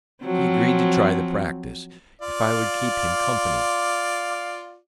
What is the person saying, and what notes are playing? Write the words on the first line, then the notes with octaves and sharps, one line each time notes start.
He agreed to try the practice, if I would keep him company.
F3 F#3 C4
F4 D5 F5